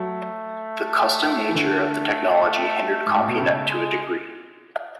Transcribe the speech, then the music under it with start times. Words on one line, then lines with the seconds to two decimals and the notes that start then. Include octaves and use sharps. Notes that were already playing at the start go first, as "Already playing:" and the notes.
The custom nature of the technology hindered Compunet to a degree.
Already playing: F#3 A3
1.49 E3
1.55 D3 A3
3.06 G#2
3.16 A2
3.28 B2
3.37 C#3 A3
3.69 G#3